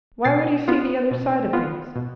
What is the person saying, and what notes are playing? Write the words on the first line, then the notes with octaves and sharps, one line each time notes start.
Why would he see the other side of things?
B2 A6 C7
B3 F4
B2
B3 F4
B2